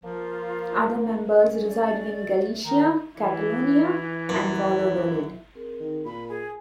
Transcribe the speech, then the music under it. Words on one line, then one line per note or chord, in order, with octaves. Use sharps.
Others members resided in Galicia, Catalonia and Valladolid.
F3 A#3 F4
C#4
A3 D5
D#3 A#5
E3
F#2
C4 G#4 A#4
D#3
A#2 A#4 B5
G#4 G#5